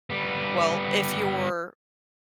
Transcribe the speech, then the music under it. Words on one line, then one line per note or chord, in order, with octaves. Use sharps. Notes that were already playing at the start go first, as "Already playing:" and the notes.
Well, if you're
G3 B3